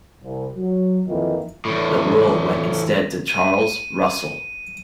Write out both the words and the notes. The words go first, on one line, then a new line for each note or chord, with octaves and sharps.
The role went instead to Charles Russell.
C2
F#3
F2 D#3 E3 A#3 F4
E2 A2
D#7